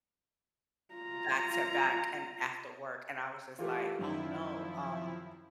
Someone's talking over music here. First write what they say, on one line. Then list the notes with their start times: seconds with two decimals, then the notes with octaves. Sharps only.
back to back and after work. And I was just like, oh, no. Um,
0.94 F4 A#5
3.59 E3 A3 F4 G4 A#4
3.99 F#2 D#3 F3 E4